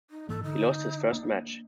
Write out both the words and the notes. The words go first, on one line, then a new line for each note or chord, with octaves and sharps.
He lost his first match.
D#4
G#2 E3 A#3 A4
D3 D#4
A#3 D4